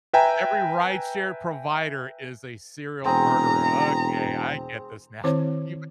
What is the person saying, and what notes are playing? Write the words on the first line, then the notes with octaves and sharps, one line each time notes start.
every rideshare provider is a serial murder, okay, I get this now. You w
B4 E5 G5 G#5 A#5
E1 C4 G#4 A#5
D#3 C4 E4 C5 C#5